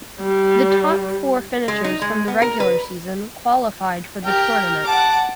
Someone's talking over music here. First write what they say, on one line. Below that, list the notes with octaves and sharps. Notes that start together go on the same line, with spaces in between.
The top four finishers from the regular season qualified for the tournament.
G3
G#3
D#4
G#3
B3
A#4
B4
G4 A#4 G5
F#5 A5 D6